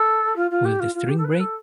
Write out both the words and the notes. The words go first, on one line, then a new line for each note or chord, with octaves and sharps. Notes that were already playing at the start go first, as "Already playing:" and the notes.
Will the string break?
Already playing: A4
F4
F4
G4
F4
F4
G4
A4
B4
A4